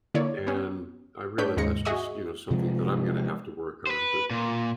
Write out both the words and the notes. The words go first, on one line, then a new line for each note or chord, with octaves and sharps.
And I realize that's just, you know, something that I'm going to have to work on, but,
D3 A#3 E4 C#5 D5
B3 C#4
A2 D4 B4 C#5 G6 B6
D#2 G#2 C#3 G#3 A#6 C#7
F#4 G#4 D#5 E5 C#6 D#6
C3 F3 G#3
B4 C5
A#2